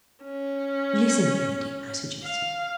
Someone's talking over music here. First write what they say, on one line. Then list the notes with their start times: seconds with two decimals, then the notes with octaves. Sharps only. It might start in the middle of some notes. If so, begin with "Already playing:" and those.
"Listen, Kennedy!" I suggested.
0.23 C#4
2.23 F5